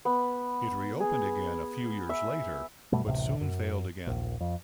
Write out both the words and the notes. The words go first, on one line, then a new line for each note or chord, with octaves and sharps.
It reopened again a few years later but soon failed again.
B3
G#4
E5
F#2 B2 G3 A3
D1 A1 C3
F#2
D#1 A#1
F2